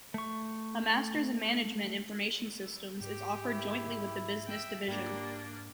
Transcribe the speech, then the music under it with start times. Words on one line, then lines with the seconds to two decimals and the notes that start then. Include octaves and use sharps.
A Masters in Management Information Systems is offered jointly with the Business Division.
0.14 A3 C#6
3.01 G#2 G4
3.44 E4
4.47 E5 G5
4.88 G#2 G3 A#3 D4